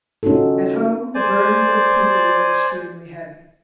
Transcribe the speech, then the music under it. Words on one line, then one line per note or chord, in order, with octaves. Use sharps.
At home the burdens of the people were extremely heavy.
C#4 D#4 F4 F#4 A4
C5 D5 G#5